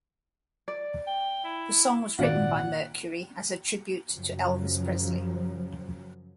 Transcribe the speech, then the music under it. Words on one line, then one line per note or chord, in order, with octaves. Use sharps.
The song was written by Mercury as a tribute to Elvis Presley.
D5
G5
E4
G#1 A#2 F#4 D5 F5 F#5
F#2 C#3 F3 F#3